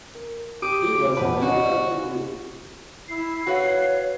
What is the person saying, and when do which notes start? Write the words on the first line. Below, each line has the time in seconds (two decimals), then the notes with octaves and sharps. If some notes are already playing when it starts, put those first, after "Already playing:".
He was a member of The Group.
0.15 A#4
0.62 G4 D6 D#6 D#7
1.17 E1 B4 F#5 A5
1.41 C#4 F#4 D#5
3.08 E4 C7
3.47 F#4 B4 C#5 F5